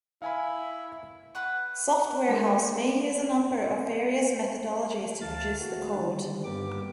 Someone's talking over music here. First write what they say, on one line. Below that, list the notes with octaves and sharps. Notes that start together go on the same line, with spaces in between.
Software house may use a number of various methodologies to produce the code.
E4 F5 G#5 B5
B4 F#5 C#6
G#3 A#3 D4 G#4 A#4
D2 E3 A3 F5 A5 A6
A3 A#3 F#4
D3 D#3 G3
G2 A#3 B3 G4 D6